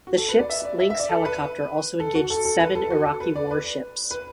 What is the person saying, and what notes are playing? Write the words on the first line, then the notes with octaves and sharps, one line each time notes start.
The ship's Lynx helicopter also engaged seven Iraqi warships.
F#4
A4
B4
D5
E5
D5
E5
E5
D5
A4
B4
A4
F#4
A4
A4
B4
A4
F#4
A4
B4
D5
B4
B4